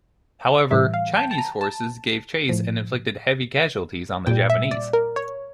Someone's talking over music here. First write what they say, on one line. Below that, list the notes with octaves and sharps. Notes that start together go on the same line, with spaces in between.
However, Chinese forces gave chase and inflicted heavy casualties on the Japanese.
A2 E3 G3 E5
F5
A5
G5
A5
A#5
A5
A2 F3
A#2 G3 G5
E5
D5
A#4
C#5